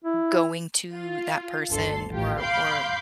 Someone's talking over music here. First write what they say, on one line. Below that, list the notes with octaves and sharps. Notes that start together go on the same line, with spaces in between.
going to that person or or
E4
F4
G1 D2 A4 C6
A1 F4 G4
F5 B5 C6 D6 G6